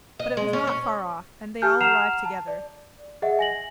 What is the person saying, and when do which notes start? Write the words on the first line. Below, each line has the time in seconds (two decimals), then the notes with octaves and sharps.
But it was not far off and they all arrived together.
0.20 D#5
0.37 G#3
0.53 C#4
0.67 C#4
1.62 G4 G#5 A5 F6 G6
1.81 F#5 A#5 F6 C7 E7 F7
2.25 A5
2.48 D5
3.22 G#4 D#5 E5 F#5
3.39 G#5 A#6 F#7